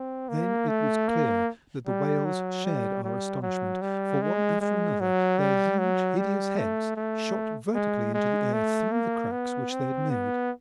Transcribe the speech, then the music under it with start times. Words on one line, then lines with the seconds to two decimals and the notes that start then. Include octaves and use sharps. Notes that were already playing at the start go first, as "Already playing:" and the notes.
Then it was clear that the whales shared our astonishment, for one after another their huge hideous heads shot vertically into the air through the cracks which they had made.
Already playing: C4
0.29 A#3
0.68 A3
1.08 A#3
1.86 G3
2.25 F#3
2.65 G3
3.04 G3
3.42 F#3
3.82 G3
4.22 G#3
4.61 G#3
5.00 F#3
5.39 G3
5.79 F#3
6.17 G3
6.57 A3
6.96 A3
7.75 G#3
8.14 G#3
8.53 A3
8.92 A#3
9.32 B3
9.70 C4
10.10 B3